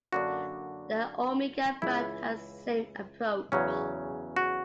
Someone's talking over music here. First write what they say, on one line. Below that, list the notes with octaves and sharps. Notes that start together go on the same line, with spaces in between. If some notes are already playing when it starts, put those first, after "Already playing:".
The Omega brand has the same approach.
F#2 D3 A#3 D4 F#4
C#2 C#3 E3 E4
E2 C#3 F#3 C#4
F#4